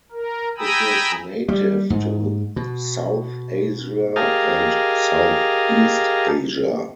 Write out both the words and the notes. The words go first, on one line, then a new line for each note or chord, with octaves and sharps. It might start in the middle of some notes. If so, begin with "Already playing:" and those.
It is native to South Asia and Southeast Asia.
A#4
G5 G#5 A#5 B5 D#6 E6
G3
G#2
B2
G4 G#4 A#4 D#5 F5 A5